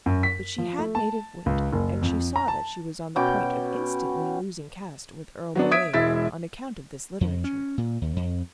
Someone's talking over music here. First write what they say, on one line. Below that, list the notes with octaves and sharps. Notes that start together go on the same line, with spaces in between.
But she had native wit, and she saw that she was on the point of instantly losing caste with Earle Moray on account of this literature.
F#2
B6
F3
A3
A5
C#2
F#1
F2
A#5
A5
B2 C#4 G5 D6
F#3 B3 D4
E5 D#6 G#6 B6 D7
E1 G#3 E4 E5 A6 B6
F2
C#4
A#2
D#2
F2